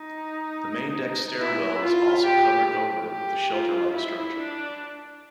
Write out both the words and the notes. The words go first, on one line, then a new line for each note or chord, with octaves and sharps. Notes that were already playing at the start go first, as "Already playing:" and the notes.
The main deck stairwell was also covered over with a shelter-like structure.
Already playing: D#4
E4
F4
G4
G4
F4
E4
D4